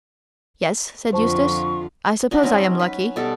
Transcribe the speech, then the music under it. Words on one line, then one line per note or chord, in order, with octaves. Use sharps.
"Yes," said Eustace, "I suppose I am lucky."
F2 D3 F4 C5 A5 C#6
D4 D#4 F#4 B4
F#3 C4 C#4
B4
B2 G3 A4